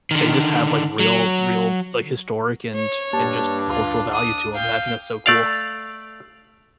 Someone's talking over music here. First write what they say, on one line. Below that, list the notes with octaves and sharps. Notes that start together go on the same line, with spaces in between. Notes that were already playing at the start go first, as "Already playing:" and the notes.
they just have like real real, like historic and and just cultural value to 'em, and I think that's so cool.
D3 D#3
F#3
C#5
G2 A#3 D4 G4 A5
D2 F4
D#6
F5 G5
A3 D5 F5